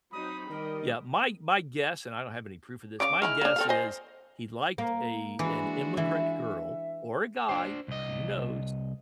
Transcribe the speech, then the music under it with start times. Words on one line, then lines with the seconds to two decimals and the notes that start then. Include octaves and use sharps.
yeah, my my guess- and I don't have any proof of this- my guess is, he liked a an immigrant girl- or a guy, who knows-
0.12 F#3 C4 D#4 B5 D#6
0.50 D#3 G3 A#4 D#5
3.00 C#3 E4 F5 D6
3.22 D#3 G#3 E4 F6
3.41 A#3 D4
3.56 C4 A4 F5
3.69 C5 D#5 G#5
4.78 A#3
5.39 E3 G#3 D4 F#4
5.97 E3 E5
7.49 D4 C5
7.88 C2 D#5